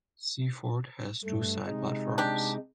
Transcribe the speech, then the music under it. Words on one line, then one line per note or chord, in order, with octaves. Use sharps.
Seaford has two side platforms.
G2 A3
C3 G#3 D#4
D4 G4